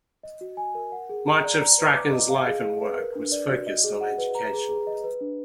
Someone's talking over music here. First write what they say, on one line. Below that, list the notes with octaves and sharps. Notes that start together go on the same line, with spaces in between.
Much of Strachan's life and work was focused on education.
D#5
F#4
G#5
A#4
F#5
G#4
A#5
D5
A#5
B4
D6
D#5
F5
G#4
G#4
B4
A#4
D4
D5
F#4
D#5
G#4
F#5
B4
A#5
G#4
G#4
D#5
B4
D4